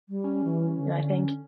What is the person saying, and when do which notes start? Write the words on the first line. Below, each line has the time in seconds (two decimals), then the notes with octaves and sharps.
know, I think
0.09 G3
0.24 C#4
0.44 E3
0.77 D3